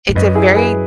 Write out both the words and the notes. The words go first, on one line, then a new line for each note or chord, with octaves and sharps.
it's a very
G#2
F#2 B4 D#5
E4 G#4
G#4 B4